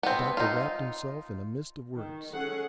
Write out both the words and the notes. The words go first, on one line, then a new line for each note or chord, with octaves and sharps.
The doctor wrapped himself in a mist of words.
B3 C4
D#4 F4
D#3
C#4 G#4 A4 F#5